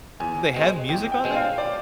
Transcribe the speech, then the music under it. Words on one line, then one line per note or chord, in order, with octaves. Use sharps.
Did they have music on there?
E2 G#5
B2 G#3 C4
E2 G5
G5
B2 G#3 C4
F5
D5